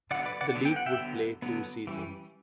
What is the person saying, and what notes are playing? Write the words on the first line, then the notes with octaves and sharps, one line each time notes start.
The league would play two seasons.
D3 F#3 B3 D5 F#5
B4 D5
D5 F#5
D3 F#3 B3
G5
F#5
E5 G5
D3 F#3 B3
D3 F#3 B3
E3 G3 C#4